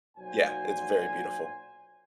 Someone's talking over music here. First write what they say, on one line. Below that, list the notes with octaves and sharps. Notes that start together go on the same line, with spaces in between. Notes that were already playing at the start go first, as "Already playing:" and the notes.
Yeah, it's very beautiful.
B1 A#2 F#3 C5 G#5